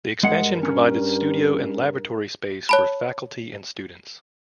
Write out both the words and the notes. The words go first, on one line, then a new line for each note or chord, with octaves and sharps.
The expansion provided studio and laboratory space for faculty and students.
G2 G#3 A#4 F#5
C#4
C#5 A5 B5